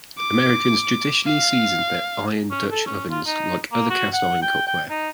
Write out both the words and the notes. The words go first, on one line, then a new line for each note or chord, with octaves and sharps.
Americans traditionally season their iron Dutch ovens like other cast-iron cookware.
D6
F5
C#4
A4
C#4
F4
D#4
A#3
F#4
F#5
G5
G5
D#4